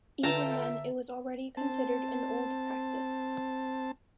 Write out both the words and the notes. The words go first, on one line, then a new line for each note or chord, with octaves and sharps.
Even then, it was already considered "an old practice".
D3 F4 A4 B4 E5 G5 A5 A#5
C4 A5